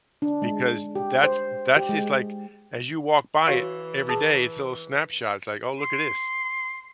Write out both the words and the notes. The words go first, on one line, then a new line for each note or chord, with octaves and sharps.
because that's that's just like, as you walk by it every day, it's a little snapshot, it's like, "Oh look at this.
D4
G#3
G4
C5
G4
G#3
E3 F#4 C#5 F5
G#4 A5
C6